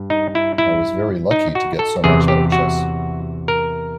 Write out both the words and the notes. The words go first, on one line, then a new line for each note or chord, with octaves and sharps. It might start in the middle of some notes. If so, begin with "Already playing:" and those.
I was very lucky to get so much out of chess.
Already playing: G2
D#4
E4
E4
D#4
F#4
A4
E2 C3 E3 G#4
G4
F#4
A#4